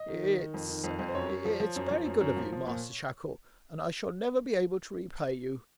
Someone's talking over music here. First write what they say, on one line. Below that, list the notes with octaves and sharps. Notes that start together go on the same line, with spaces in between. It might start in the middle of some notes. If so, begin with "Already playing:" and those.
"It's--it's very good of you, Master Shackle, and I shall never be able to repay you."
Already playing: D#5
D#3
D#3
D#3
F2
D#3
F2
F2
C5
F#2 C#5
F#2
F3
F3
F#2
F3
F#2
F#2
F3
F3
A#2